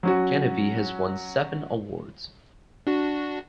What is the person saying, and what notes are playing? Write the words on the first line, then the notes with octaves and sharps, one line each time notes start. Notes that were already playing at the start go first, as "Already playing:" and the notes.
Geneve has won seven awards.
F#3 C#4 F#4
D4 F#4